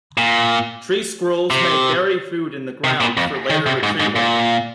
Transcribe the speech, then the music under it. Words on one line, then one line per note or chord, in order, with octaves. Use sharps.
Tree squirrels may bury food in the ground for later retrieval.
A#2
C3
C3
A#2
F2
D#3
C3
G#2
G#2
A#2